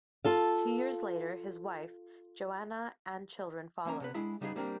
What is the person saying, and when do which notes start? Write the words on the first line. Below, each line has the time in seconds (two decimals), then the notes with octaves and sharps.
Two years later, his wife Johanna and children followed.
0.25 F4 A4 F5
3.85 F3 A#3 C#4 A#5
4.00 C3 B3 B4
4.14 G#3 D4 E4 G#4 F#5 B5
4.41 C#3 G3 B3 D#4 F4 G#4
4.56 G3 A#3 C4 D4 A#4